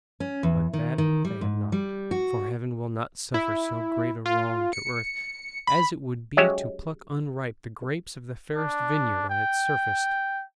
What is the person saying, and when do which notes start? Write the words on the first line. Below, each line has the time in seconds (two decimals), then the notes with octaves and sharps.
But that they have not, for Heaven will not suffer so great a wrong to Earth, as it would be to pluck unripe the grapes of the fairest vineyard on its surface.
0.20 C#4
0.43 E2
0.73 D#3
0.98 D#3
1.25 G3
1.41 G#2
1.72 G3
2.11 F#4
3.34 E4
4.26 F4
4.73 C#7
5.67 B5
6.37 F#3 G#3 C#4 G4 C#5 E5
8.56 D4
9.30 G5